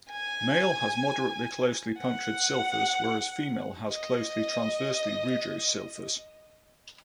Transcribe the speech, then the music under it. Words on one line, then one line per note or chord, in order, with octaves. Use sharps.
Male has moderately closely punctured clypeus whereas female has closely transversely rugose clypeus.
G#5
F#5
D#5